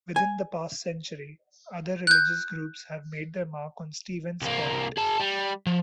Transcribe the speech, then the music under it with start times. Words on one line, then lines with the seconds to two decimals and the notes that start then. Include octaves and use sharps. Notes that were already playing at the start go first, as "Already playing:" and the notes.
Within the past century, other religious groups have made their mark on Stevens Point.
0.16 G#5
2.07 F#6 G6
4.42 C2 A#3
4.97 G#4 A5
5.20 G3
5.66 F3